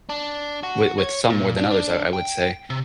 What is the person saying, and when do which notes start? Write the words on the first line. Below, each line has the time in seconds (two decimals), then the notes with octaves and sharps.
with with some more than others, I I would say.
0.09 D4
0.63 F#4
0.98 C#5
1.30 A#2
1.57 D4
1.71 D4
2.13 G5
2.70 C3